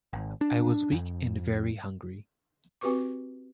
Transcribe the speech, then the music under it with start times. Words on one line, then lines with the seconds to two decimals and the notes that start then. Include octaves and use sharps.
I was weak and very hungry.
0.13 G#1
0.41 D4
0.92 F2
2.81 C4 F#4 G4 B4 C#6 D6